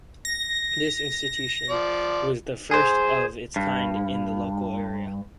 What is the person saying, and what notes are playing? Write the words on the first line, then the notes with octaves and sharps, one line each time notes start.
This institution was the first of its kind in the local area.
A#6
F3 D5
G#4 C5
G2